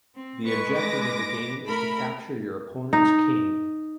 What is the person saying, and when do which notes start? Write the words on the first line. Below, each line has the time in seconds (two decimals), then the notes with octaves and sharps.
The objective of the game is to capture your opponent's king.
0.15 C4
0.46 G#3 B4 C#6
0.76 D6 A#6
1.66 A3 A#4 B5
2.93 D#4